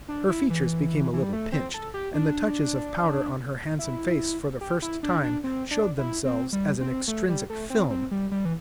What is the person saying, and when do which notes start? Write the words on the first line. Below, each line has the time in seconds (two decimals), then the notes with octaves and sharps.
Her features became a little pinched, and the touches of powder on her handsome face for the first time showed themselves as an extrinsic film.
0.09 D4
0.29 E4
0.50 E3
1.13 E3
1.23 G3
1.33 A3
1.52 C4
1.74 A4
1.94 G4
2.14 D4
3.79 E4
4.61 G4
4.82 E4
5.03 D4
5.23 D4
5.44 C4
5.71 D4
5.98 E4
6.25 C4
6.53 G3
6.81 C4
7.08 A3
7.29 G3
7.50 A3
7.70 C4
7.90 C4
8.11 G3
8.31 G3
8.45 E3